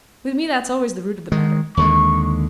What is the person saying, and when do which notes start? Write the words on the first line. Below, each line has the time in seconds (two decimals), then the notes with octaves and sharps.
With me that's always the root of the matter.
1.32 D#3 G#3
1.77 D#2 D3 G#3 C#6